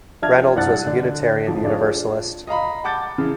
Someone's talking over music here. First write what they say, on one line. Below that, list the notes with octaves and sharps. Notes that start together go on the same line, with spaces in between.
Reynolds was a Unitarian Universalist.
F3 D4 E5 A5 F6 G#6
C2 G2 D4 F#5 F#6 A6
D3 D4 F#6
F2 G#2 F3
D4 F4 G#4 C#5
D#5 F5 A#5 B5
F#5 A5 D6 G6 A6
C#3 E3